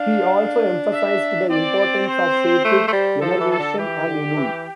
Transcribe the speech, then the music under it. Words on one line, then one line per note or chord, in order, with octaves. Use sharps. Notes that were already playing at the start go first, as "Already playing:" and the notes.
He also emphasized the importance of "fatigue", "enervation" and "ennui".
Already playing: D4 F5
E5
C4 D5
C5
A3
A3
G3
F3 A4
E3
A4
D3
E3 G4
D3
E3